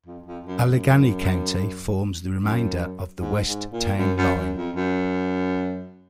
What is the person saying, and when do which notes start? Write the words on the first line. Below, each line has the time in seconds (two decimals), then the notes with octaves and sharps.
Allegany County forms the remainder of the west town line.
0.06 F2
0.26 F2
0.46 F#2
0.65 F#2
2.42 F#2
3.21 G#2
3.46 G#2
3.72 A#2
3.98 F#2
4.18 F#2
4.38 F#2
4.57 F2
4.76 F#2